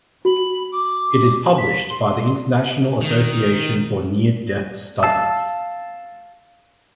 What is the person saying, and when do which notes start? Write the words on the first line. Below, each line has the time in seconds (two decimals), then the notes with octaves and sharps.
It is published by the International Association for Near-Death Studies.
0.25 F#4 B5
0.72 D6
1.58 B6
1.90 C6
3.01 D#3
5.03 F5 A5 E6